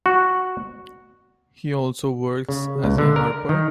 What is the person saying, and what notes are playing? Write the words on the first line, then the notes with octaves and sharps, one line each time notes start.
He also works as a Harper.
F#4
C#3
C#2
D3
A#4
D#3